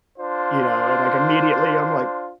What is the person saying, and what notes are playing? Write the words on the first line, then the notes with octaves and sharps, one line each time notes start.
you know, and, like, immediately, I'm like
D4 F4 C5